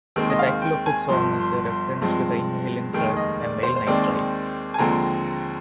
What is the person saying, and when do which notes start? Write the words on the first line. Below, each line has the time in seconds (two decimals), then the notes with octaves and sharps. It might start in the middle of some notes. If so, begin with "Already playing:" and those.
The title of the song is a reference to the inhalant drug amyl nitrite.
0.16 D#2 D#3 G#3 C4 G5
0.30 D#5
0.39 F5
0.62 G5
0.86 G#5
1.09 G1 G2 F3 C6
1.40 C6
1.70 C6
2.01 G2 F3 G#3 C4
2.93 F1 D#2 D#3 G#3 G5
3.17 D#5
3.40 D5
3.63 C5
3.76 C5
3.87 D#2 D#3 G#3 C4 D5
4.74 G#5
4.78 D#2 D3 F3 G#3 C4 A#5